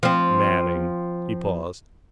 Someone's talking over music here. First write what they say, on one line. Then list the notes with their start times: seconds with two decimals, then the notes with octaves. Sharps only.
"Manning." He paused.
0.03 F3 C4